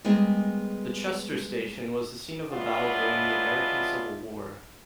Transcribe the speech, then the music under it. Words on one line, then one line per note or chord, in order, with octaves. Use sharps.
The Chester Station was the scene of a battle during the American Civil War.
G3 G#3 B3 G#4 A#4 D#5
F#3 G#3 B3 D4 E4 F4